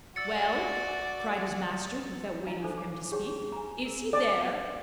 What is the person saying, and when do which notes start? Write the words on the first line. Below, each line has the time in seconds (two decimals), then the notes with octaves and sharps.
"Well!" cried his master, without waiting for him to speak, "is he there?"
0.16 F#4 D5 E6 A6 C#7
2.46 D#4 F5 A#5
2.63 D4 D#4 A4 C5 D6
2.78 C5 D6
3.12 G4 G#4 C5 C#5 G5 A5
3.52 G#5 A#5
3.85 A#4
4.13 D5